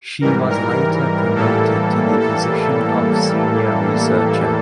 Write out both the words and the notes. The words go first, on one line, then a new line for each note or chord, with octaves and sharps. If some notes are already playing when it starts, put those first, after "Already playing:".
She was later promoted to the position of Senior Researcher.
G#2 E3 G3 A#4
A#4
A2 E3 G3 A#3 A4
A4